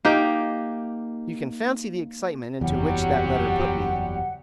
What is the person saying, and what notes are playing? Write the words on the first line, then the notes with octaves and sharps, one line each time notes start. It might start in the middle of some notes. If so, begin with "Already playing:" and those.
You can fancy the excitement into which that letter put me.
A#3 D#4 G4
F#1 E2 F#3 G3 G4 F#5